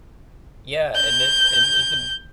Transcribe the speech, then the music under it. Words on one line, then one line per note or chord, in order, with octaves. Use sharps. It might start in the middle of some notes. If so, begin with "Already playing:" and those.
Yeah, and then and you can
G6